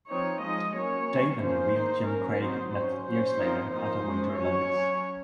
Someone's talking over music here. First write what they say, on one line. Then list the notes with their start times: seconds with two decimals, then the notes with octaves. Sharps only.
Dave and the real Jim Craig met years later at a Winter Olympics.
0.10 F3 C4 D#4 C#5
0.42 F3 G#3 D#4 D#5
0.76 F#3 A#3 C#4 C#5
1.08 F#3 C#4
1.41 F3 A#3 C#4 C5
1.74 D#3 A#3 D#4
2.07 F#3 C#4 A#4
2.40 F#3 C4 D#4 C5
2.72 F#3 C#4 C5
3.06 F#3 C#4 C5
3.39 F3 C4 D#4
3.72 F3 A#3 D#4 C5
4.05 G#3 C#4
4.38 F#3 C#4 C#5
4.70 F#3
4.75 C#4